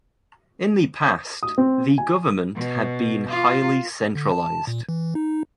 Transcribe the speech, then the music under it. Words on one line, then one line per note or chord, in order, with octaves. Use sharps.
In the past, the government had been highly centralized.
D#6
C4
G#5
B2
F4
D3
A5
A#2
E3
D#4